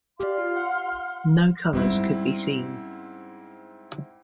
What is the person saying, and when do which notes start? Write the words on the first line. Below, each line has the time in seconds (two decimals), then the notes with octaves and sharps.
No colors could be seen.
0.19 G4 D5 F5 C6 F6
0.38 F4
0.56 F#5
1.73 G#2 G3 C4 C#4 E4